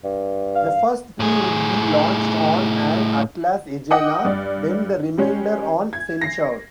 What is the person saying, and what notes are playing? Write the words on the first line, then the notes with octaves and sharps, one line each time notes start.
The first three would be launched on an Atlas-Agena, then the remainder on Centaur.
G2
F5
A2 G#4
D#5 F#5 G5 D6 D#6
G2 D5
G3 G#3 C#4
G#6
A#6 C7